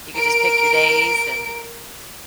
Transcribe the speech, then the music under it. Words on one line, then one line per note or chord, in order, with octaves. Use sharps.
you could just pick your days and
A#4 D7